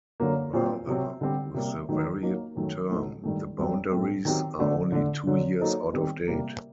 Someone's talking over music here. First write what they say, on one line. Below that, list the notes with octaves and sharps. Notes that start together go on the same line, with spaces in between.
Rather, with the varied term, the boundaries are only two years out of date.
F#2 D3 F#3 A#3
A#2 F#3 C4 G4 C5
C3 F#3 C4
D3 G3 C4 G4
C3 G3 A#3
D#3 F#3 A3 D#4
F#3 A#3 D#4
F#2 D#3 F#3 A3
A2 A3 D#4 F#4
G2 D#3 A3
G2 F#3 C4
A2 A3 C4
D#3 F#3 C4 G4
D3 A3 D4 F#4
D3 A3 D4
F#2 D3 F#3
F#3 A#3 D#4 A4 C5
D#3 G3 C4 G4
C3 G3 A#3